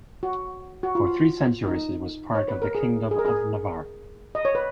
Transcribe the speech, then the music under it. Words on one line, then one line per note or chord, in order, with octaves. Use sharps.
For three centuries it was part of the Kingdom of Navarre.
F#4
F#4
F4
D#4
C#5
B4
A#4
G#4
G#4
A#4
G#4
D#5
C#5
B4